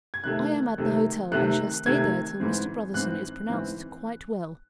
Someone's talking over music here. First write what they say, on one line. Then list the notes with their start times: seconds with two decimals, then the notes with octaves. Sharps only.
I am at the hotel and shall stay there till Mr. Brotherson is pronounced quite well.
0.14 G#6
0.24 C3 D#3 A3 F#6
0.78 C3 D#3 A3
1.32 C3 D#3 A3 F#6
1.86 C3 D#3 A3 G#6
2.40 G#2 E3 C4
2.94 G#2 E3 C4 F#6
3.48 G#2 E3 C4